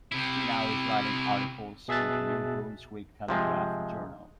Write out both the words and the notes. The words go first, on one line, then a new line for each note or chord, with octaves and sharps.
She now is writing articles in the "New Brunswick Telegraph-Journal".
C3 E4
B2 G#4 E5 A5 F#6 A6
C3 F3 G#3